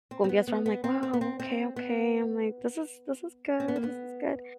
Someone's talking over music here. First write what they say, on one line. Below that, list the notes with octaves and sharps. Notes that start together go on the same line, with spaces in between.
cumbias where I'm like, "Whoa. Okay, okay." I'm like, "This is this is good. This is good."
C4
C4
B3
B3
B3
C4
C4
B3
C4
C4
B3
C4
B3
A#3
B3